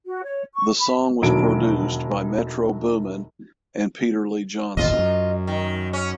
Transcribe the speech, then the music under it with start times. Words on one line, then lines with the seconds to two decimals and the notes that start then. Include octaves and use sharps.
The song was produced by Metro Boomin and Peter Lee Johnson.
0.06 F#4
0.23 C#5
0.54 C#6
0.78 B5
1.22 E1 D#2 D3 F#3 F#4 D7
4.77 E1 A1 D#2 F4 D#5
4.99 F#2
5.47 D#3
5.93 C#4